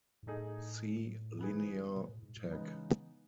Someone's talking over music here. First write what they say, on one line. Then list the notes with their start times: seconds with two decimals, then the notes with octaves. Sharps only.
See Linear Tech.
0.23 G#2
0.26 A2 A3 D#4 G#4
1.39 E3 B3 E4 G#4
1.96 B2
2.09 A2
2.23 G#2
2.37 A2
2.46 F#3
2.51 C#3 E3 G#3 B3 D#4